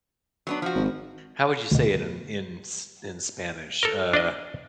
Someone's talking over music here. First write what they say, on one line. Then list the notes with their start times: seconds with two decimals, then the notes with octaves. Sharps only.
how would you say it in in S in Spanish? Uh
0.47 F#3 B3 D4
0.62 F3 F#4
0.75 G#1
1.71 D2 B2
3.83 A4 A#4
4.13 D4 D5 D#5